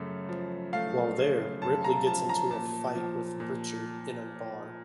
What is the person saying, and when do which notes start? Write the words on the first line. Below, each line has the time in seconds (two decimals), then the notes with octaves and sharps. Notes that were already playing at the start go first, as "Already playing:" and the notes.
While there, Ripley gets into a fight with Pritchard in a bar.
Already playing: F#2 C#3 A3
0.29 F3
0.73 A3 F5
1.18 C#3
1.62 F#2 A5
1.84 A#5
2.07 F3 A5
2.29 A#5
2.51 A#2 A5
2.96 F3
3.40 A#2